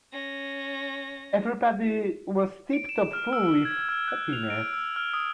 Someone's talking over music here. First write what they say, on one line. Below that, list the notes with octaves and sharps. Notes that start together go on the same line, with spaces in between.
Everybody was tip-top full with happiness.
C#4 A#6
D7
E7
F6
E6
G#6
F6
F#6
F7
D7
E6
F6
D#6